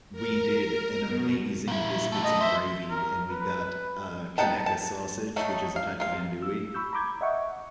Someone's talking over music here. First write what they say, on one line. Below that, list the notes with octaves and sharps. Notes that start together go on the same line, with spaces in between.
we did an amazing biscuits and gravy, and we got, uh, Conecuh sausage, which is a type of Andouille.
A#4
B2
A#2 E4
B1 A3
D#5
B4 C5 E5
A#4
B4
B3 D#4 F#5 G5 A5
A5
F#3 A3 D#4
F5
F4 F5
E6
B5 C#6 E6 G6
A#5 B5 D6 G6 G#6
D#5 E5 F#5 C#6